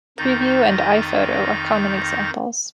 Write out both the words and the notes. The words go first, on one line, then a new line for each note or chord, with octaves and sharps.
Preview and iPhoto are common examples.
F2 D#3 D#4 G6 A6 A#6